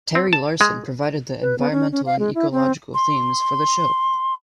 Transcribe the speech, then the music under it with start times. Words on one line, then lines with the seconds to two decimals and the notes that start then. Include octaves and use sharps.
Terry Larsen provided the environmental and ecological themes for the show.
0.15 C4
0.33 A5
0.61 G#3
1.42 B4
1.58 B3
1.72 C#4
1.92 C#4
2.06 F5
2.19 G#3
2.35 E4
2.52 C4
2.94 C6